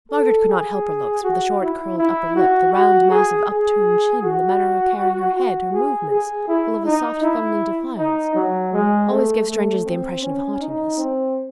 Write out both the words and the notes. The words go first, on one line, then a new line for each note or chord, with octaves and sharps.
Margaret could not help her looks; but the short curled upper lip, the round, massive up-turned chin, the manner of carrying her head, her movements, full of a soft feminine defiance, always gave strangers the impression of haughtiness.
A4
G#4
F#4
E4
E4
F#4
F#4
G#4
G#4
F#4
F#4
G#4
G#4
E4
D#4
E4
D#4
F#3
G#3
A3
A3
C4
C#4
D#4
C4